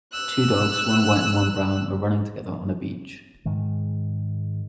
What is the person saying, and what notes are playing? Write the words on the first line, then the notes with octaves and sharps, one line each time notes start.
Two dogs one white and one brown are running together on a beach.
E6 F#6
G#2 D#3 G#3